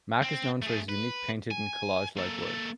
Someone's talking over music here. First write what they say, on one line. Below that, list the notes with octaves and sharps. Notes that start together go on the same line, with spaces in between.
Mack is known for his unique painted and collage-like work.
C4
A3 G#4
B4
G#5
A#3 A4